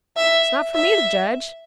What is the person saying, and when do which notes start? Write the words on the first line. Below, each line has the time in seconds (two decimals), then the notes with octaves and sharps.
It's not for me to judge.
0.17 E5
0.74 E5